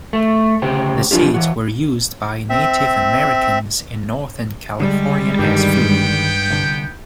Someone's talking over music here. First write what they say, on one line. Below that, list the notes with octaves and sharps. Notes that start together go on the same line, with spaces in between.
The seeds were used by Native Americans in Northern California as food.
A3
D2 C#3 G4 C5 G5
F3 D4 F4 G4
E3 F#4
C4 E5
D3 G3 G#3
G2 D3 D#3 B3 G5
C2 D3